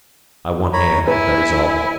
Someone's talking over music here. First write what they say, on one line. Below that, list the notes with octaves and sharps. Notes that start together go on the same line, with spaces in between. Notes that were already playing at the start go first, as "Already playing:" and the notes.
"I want air, that is all."
C#5 A#5 B5
E4 B4 G#5